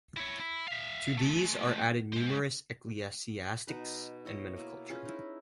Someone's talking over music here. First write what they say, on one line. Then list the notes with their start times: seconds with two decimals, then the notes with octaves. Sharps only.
To these are added numerous ecclesiastics and men of culture.
0.17 E4 C#5
0.40 E4
0.68 E5 F5
1.18 G#3 A3
2.13 G#3 C5
3.67 B2 D#4 B4
4.25 E4 C#5 D#5
4.56 B2 A#3 E4
4.90 C#4 F4 G#4 B4
5.05 D#4 E4